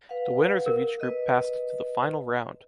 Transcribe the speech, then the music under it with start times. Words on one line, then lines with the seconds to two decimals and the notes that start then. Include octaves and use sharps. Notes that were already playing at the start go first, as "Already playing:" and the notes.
The winners of each group passed to the final round.
0.09 B4 F5 F#5
0.66 A#4
1.01 B4 D#5